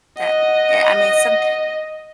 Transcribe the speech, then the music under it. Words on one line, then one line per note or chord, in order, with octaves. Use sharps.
that eh, I mean, somet
D#5 F#5